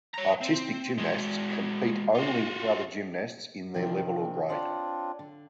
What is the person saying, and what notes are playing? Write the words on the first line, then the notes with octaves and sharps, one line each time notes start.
Artistic gymnasts compete only with other gymnasts in their level or grade.
C#5 A#5
C4
G#3 F#4
F4 F#4
C3 D#3 F3 C4 D4
C4 D4 F4 C#5 D5 F#5
D3